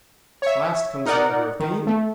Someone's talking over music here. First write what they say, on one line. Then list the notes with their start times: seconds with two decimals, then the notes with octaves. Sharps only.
Last comes the lover of gain?
0.42 C#5 E5
1.06 D#4 A#4 D5 F#5
1.60 D#3
1.87 A3